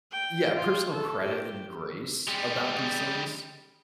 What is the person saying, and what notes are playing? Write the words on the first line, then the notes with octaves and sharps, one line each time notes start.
yeah, personal credit and grace about these things.
G5
F4
A4
G4
G3 G#3